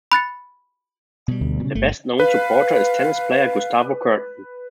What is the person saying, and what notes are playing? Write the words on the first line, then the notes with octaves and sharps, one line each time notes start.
Their best known supporter is tennis player Gustavo Kuerten.
B5 F#6 A6 C#7
B2 G3
D2
A#2 C#3
G1 A3
B4 F5